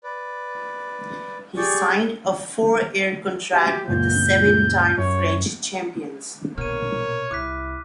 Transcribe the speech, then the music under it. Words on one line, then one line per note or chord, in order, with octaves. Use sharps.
He signed a four-year contract with the seven time French champions.
B4 D5
G4 G#4 D5 C#6
F#4 G4 E5 G#5
C#2 F#2 A#2 G6
F#2 C#5
A#1 B2 A#4 C#5 F6 D#7
C2 E4 D6 F#6 B6